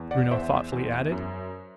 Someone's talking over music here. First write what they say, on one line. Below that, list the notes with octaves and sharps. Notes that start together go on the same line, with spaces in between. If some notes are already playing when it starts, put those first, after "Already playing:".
Bruno thoughtfully added.
Already playing: E2
D5 F#5
E2 C5 E5
E2
F#2